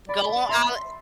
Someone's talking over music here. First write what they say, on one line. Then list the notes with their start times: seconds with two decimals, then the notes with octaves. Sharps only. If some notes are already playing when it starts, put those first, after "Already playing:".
Go on out
0.09 D5 B5
0.29 B5
0.49 E5 C6